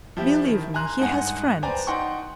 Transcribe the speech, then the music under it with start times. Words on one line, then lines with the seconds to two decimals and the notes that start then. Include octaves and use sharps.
Believe me, he has friends.
0.17 F3 E4 G4 E5
0.45 D#3 E4
0.74 G#5 A#5 C6 F#6
0.99 G2 G#3 D#4 F#5 G#5
1.63 B4 C5 D5 G5 G#5 A#5
1.87 D#4 F#5 G5 C6 C#6